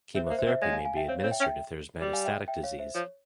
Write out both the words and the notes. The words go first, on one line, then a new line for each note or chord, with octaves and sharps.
Chemotherapy may be administered if there is metastatic disease.
C4 C5 E5
C5 E5
A#3
C5 E5
C4
C5 E5
G#3 C#5 F5
F5 G#5
F5 G#5
E5 G5
C4 C#5 F5
C#5 F5
C4
E5 G5
C#4
E5 G5
G3
F5 G#5
E5 G5
E5 G5
C#5 F5
C5 E5
F3 C#5